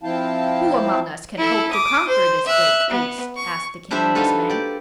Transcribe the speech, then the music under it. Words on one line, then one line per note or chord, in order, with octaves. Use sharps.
"Who among us can hope to conquer this great beast?" asked the King, in dismay.
F3 C4 E4 F5 G5 A5
E4 A4
D6 D#6
C5
E5 F#6
B3
C#6
G3 D4 E4 C5 E5
D#4 F4 F#4 A4 B4
G4 D5